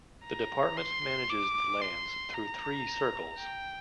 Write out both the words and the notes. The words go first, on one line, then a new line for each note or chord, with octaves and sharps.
The department manages the lands through three circles.
A#5
C6
D6
C6
A#5
G5